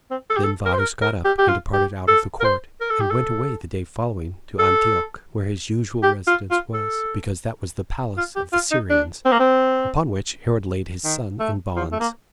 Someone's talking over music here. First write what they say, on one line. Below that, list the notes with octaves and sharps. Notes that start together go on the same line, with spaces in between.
Then Varus got up, and departed out of the court, and went away the day following to Antioch, where his usual residence was, because that was the palace of the Syrians; upon which Herod laid his son in bonds.
C4
A4
G4
A4
A#4
C5
A#4
A#4
G4
G4
F4
G4
A4
A#4
C5
A#4
A4
G4
A4
A4
G4
F4
F4
A4
F4
G4
F4
D#4
D4
C4
A#3
C4
D#3
A3
F3
A3
A#3